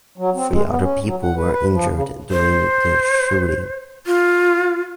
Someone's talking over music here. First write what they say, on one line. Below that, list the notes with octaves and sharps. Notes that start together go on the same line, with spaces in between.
Three other people were injured during the shooting.
F#3
C4
G#3
B3
C#4
F#3
F#5
B4
B4
F3
C#3
C5
F4